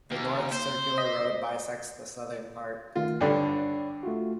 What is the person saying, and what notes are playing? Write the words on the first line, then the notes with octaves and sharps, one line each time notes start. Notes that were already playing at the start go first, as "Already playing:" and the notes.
The North Circular Road bisects the southern part.
D#2
C5
D#5 B6
D#3 A3 F4
G2 D3 C#5 D5 B5
A3 F4 F#4